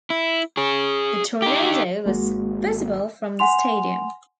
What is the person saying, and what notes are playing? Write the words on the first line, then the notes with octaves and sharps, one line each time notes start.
The tornado was visible from the stadium.
E4
G#4 C#5
D#4 G4
G#1 G#3 A#3 F#4
F#5 G#5 C6 F7